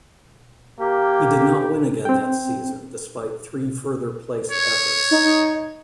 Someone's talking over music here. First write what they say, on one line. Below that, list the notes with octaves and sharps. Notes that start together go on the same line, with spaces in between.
He did not win again that season despite three further placed efforts.
A#3 G4
C4 G5
C#5
D#4